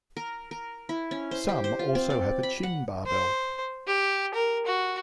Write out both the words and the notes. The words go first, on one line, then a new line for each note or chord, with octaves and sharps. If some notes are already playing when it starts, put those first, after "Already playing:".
Some also have a chin barbel.
A#4
A#4
E4
C#4
C5
G4
C5
F4
C4
D5
B5
F#5
C5
G4
A#4
F#4